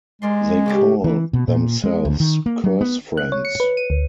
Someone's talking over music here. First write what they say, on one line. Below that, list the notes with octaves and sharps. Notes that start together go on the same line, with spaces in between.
They call themselves Curse Friends.
G#3 A#4 D5 C6
C#3 D4 G4
E3
B2
A#2
G#3
D2
D#3
A#3
F#3
B3
F#6
C#5
C#7
B4
D#7
D2